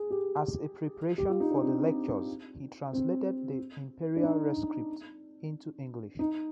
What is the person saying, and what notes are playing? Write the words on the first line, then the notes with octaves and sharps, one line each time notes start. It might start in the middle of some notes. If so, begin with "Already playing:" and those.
As a preparation for the lectures he translated the Imperial Rescript into English.
Already playing: G#4
G4
G4
F4
D#4
D4
C4
C4
D4
D#4
D#4